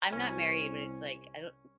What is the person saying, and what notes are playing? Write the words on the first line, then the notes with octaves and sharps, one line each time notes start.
I'm not married, but it's, like, I don't
C2 C#4